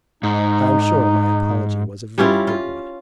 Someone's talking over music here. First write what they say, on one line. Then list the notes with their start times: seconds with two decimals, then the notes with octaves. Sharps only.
I am sure my apology was a very good one.
0.23 G#2 D#4
2.18 G3 C#4 E4 F4
2.47 F4